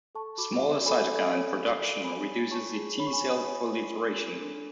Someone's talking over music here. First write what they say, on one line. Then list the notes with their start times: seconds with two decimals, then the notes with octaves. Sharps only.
Smaller cytokine production reduces the T cell proliferation.
0.15 A4 A5 C#6
0.38 F#4 B5 D6
0.62 F#4
0.85 A4 G#5 B5
1.10 A4
1.33 C#5
1.56 A4
1.81 F#4
2.04 C#5 G#5 B5
2.28 C#5
2.51 C#5 A5 C#6
2.75 G#4
2.99 C#5 B5
3.07 C#6
3.13 G#5 B5
3.22 C#5
3.46 C#5
3.70 C#5
3.94 C#5
4.18 A4
4.40 D4